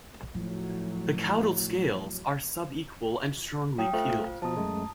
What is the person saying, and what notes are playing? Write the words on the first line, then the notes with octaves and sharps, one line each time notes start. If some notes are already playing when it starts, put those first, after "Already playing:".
The caudal scales are sub-equal and strongly keeled.
A2 F3 F#3
F#3 F5 G5 D#6
A3 F4 C5 F5
B2 F3 A5 A#5 D#6
F#2 G#3 A3